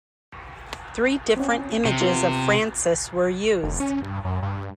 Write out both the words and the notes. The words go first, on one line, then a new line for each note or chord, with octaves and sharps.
Three different images of Francis were used.
C4 C#4
C3
B3 F4 F5
F1
C#4
G2
F#2
G2